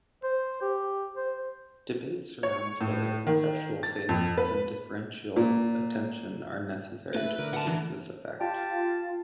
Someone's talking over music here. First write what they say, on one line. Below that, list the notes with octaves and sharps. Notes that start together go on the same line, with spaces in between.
Debate surrounds whether perceptual salience and differential attention are necessary to produce this effect.
C5
G4
C5
C#5
A2
D#3
A6
F2
B4
A#2
A3 B4 E5 F#6
D3 A#4
F#5 A5
E3
F4 G4 A5